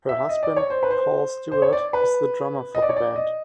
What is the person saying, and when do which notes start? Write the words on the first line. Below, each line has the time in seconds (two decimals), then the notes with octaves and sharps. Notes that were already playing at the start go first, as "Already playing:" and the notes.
Her husband Paul Stewart is the drummer for the band.
0.09 E5
0.29 D#5
0.43 D5
0.56 C#5
0.70 C5
0.83 B4
0.90 C5
1.52 C5
1.62 C#5
1.73 D5
1.93 B4
2.75 D#5
2.82 D5
2.89 C#5
2.96 D5
3.16 D#5